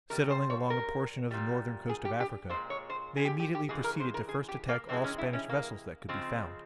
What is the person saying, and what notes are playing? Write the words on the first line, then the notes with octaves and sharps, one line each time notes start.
Settling along a portion of the northern coast of Africa, they immediately proceeded to first attack all Spanish vessels that could be found.
C3 G3 A#4
C5
C#5
A#4
A#2 G3
G#4
G4
G4
A#2 G#3 C5
C#5
C5
G#4
G4
G4
G4
C#3 E3 G#3 G#4
A#4
C5
A#4
G#4
G4
A#3
C3 E3 G#3 C4
C#4
E4
C#4
A#3
C#3 F3 G#3 C4